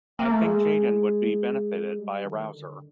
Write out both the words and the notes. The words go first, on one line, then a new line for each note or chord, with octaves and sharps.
I think Jayden would be benefited by a rouser.
A#3
A3
G#3
G3
D#3
D3